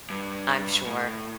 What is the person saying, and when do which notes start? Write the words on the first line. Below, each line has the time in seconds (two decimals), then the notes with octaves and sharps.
I'm sure.
0.10 G2
0.86 A2